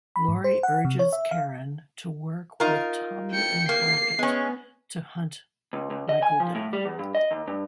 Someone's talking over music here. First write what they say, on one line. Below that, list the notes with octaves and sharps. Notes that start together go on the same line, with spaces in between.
Laurie urges Karen to work with Tommy and Brackett to hunt Michael down.
B5
G#2
C5
F#5
C3
C#5
E5
F5
D#4 F4 A#4
G5 C#7
A#3 C7
G#3 B3 C#4
C#2
C#2
D#5
G#5
F3
A2
G3
E2
G2
D#5
D#2
G2